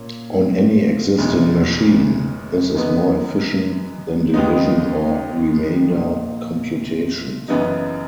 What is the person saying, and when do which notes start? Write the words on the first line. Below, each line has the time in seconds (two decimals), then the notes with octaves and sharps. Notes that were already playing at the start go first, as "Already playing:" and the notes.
On any existing machine, this is more efficient than division or remainder computations.
Already playing: A#2 A#3 C#4
1.18 F#1 E2 B2 G#3
2.75 F#2 E3 G#3 B3 D#4
4.34 D#2 C#3 G#3 B3 D#4
5.90 A#1 A#2 A#3 D#4
7.48 F#1 F#2 E3 B3 D#4